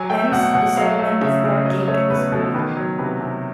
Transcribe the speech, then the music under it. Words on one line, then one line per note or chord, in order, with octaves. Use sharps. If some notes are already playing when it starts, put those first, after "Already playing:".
Hence the settlement of Parkgate was born.
Already playing: F#3 G#5
A3 G5
B2 F#5
B2 F#5
F#3 F5
A3
C#3 E5
C#3
F#3 D#5
A3 C#5
B2 B4
B2 A4
D#3 B4
F#3
C3 B4
C3